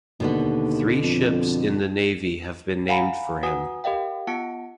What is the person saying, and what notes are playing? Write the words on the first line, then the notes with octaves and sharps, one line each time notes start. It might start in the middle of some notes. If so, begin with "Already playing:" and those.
Three ships in the Navy have been named for him.
D#2 B2 D3 B3
F2
F5 F#5 G#5 A#5 B5
F#4 B4 F#5 G#5 D#6
G4 A#4 D#5 F5 G5
B3 F4 F#5 A5 C#7 D7